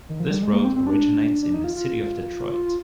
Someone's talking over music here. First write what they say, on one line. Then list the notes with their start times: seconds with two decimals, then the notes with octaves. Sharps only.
This road originates in the City of Detroit.
0.09 D#3
0.20 F3
0.31 G3
0.43 G#3
0.53 A#3
0.65 C4
0.76 C4
0.87 D4
1.42 D4
1.54 D#4
1.64 F4
1.76 F4